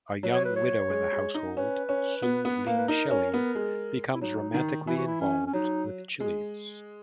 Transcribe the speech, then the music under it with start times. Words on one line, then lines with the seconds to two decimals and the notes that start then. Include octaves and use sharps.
A young widow in the household, Sue Lee Shelley, becomes romantically involved with Chiles.
0.23 F#3
0.34 C#5
0.45 B4
0.56 C#5
0.90 G#3
1.12 G#3
1.34 D#4
1.57 C#4 B4
1.89 C#4
2.22 B3
2.45 B3
2.66 A#3
2.78 B4
2.88 D#4 A#4
3.11 C#4
3.34 B3
3.55 G#3
4.14 E4
4.21 F#3 D#4
4.54 D#3
4.87 E3 E4
4.97 F#4
5.07 E4
5.21 C#4
5.46 C#4
5.53 F#3 D#4
6.20 G#3